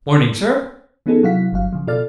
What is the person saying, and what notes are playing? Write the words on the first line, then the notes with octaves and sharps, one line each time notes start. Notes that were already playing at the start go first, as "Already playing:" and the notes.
'Morning, sir!
E3 B3 C#4 D#4 G#4 A4
C3 F#3 E4 F5 F#5 B6
G1 F#3 F5
C#3 F3
B2 F4 A4 D5 F6 A6